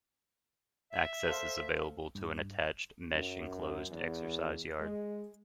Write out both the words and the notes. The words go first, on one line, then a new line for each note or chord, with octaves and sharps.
Access is available to an attached, mesh-enclosed, exercise yard.
E5
A4 C5 F5
G2
F#2
E2
G#3